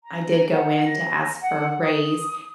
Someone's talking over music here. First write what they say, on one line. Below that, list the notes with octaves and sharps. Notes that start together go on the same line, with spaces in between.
I did go in to ask for a raise,
A#5
F#5
A#6
F#5
D#6